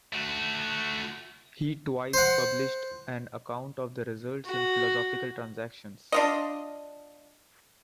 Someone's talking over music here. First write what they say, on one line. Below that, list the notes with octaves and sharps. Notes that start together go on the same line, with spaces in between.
He twice published an account of the results in Philosophical Transactions.
A3 F#4
C5 F#5
F#4
D4 F4 D#5